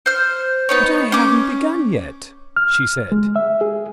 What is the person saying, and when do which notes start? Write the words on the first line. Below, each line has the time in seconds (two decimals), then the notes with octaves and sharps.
"But I haven't begun yet," she said.
0.06 C5 F6
0.69 B3 D#4 C#5
1.12 C#4 D6
2.56 F6
3.12 G#3
3.36 E5
3.61 G#4